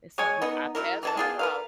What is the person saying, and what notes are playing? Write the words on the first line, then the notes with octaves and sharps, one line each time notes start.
it's what we our paths are gonna cross.
G#3 C#5 G#5
B3 D#4
F#3 G3 E4 A#4
E3 G#4 A5
B3 F4 G#4
A#4 B4 F5